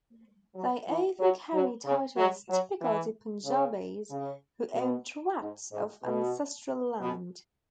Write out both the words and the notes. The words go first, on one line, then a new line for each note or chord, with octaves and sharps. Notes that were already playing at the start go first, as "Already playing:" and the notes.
They often carry titles typical to Punjabis who own tracts of ancestral land.
F#3
E3
F#3
F#3
C#3
F#3
F#3
E3
C#3
C#3
B2
G#2
G#2
B2
B2